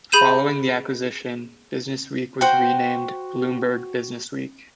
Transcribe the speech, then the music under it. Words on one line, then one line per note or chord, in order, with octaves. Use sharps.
Following the acquisition, "Businessweek" was renamed "Bloomberg Businessweek".
G#4 B5 G6 D#7 E7
F#4 C5 G5